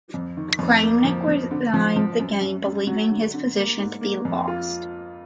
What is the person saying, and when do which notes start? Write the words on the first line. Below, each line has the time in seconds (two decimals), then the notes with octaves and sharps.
Kramnik resigned the game, believing his position to be lost.
0.14 F2
0.37 D#3
0.59 F2
0.82 A#3
1.05 F3
1.28 F3
1.51 D3
1.74 F3
1.96 F3
2.19 F#2
2.41 F#2
2.64 F#2
2.87 F#3
3.11 D3
3.34 D3
3.56 A#3
3.79 G#2
4.01 A#3
4.25 F2
4.48 F4